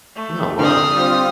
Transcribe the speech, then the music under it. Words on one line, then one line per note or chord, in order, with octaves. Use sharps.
Oh, wow.
A3
D3 C4 D#6 F6
G3 C4 F4